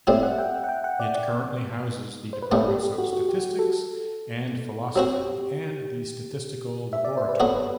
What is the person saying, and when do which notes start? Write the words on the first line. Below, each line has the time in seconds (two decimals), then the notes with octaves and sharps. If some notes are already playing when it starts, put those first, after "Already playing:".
It currently houses the departments of Statistics and Philosophy and the Statistical Laboratory.
0.07 A2 G3 C4 E4 E5
0.23 F#5
0.38 G5
0.64 F#5
0.69 G5
0.84 F#5
1.00 D5
1.15 D5
2.33 C5
2.42 B4
2.52 A2 E3 G3 B3 A4
2.68 G4
2.83 G4
2.98 F#4
3.13 F#4
3.29 G4
3.59 A4
4.96 F#3 C4 F#4 G4
6.93 E5
7.05 D5
7.17 C5
7.29 B4
7.40 F#3 B3 F#4 A4
7.56 B4